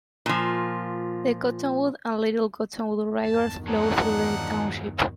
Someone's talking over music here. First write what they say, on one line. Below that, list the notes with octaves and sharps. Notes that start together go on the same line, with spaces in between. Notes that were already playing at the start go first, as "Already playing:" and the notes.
The Cottonwood and Little Cottonwood Rivers flow through the township.
A#2 F3
E2 G2 D#3 A5
F3 F#3 G#3 D4 D#4 F#5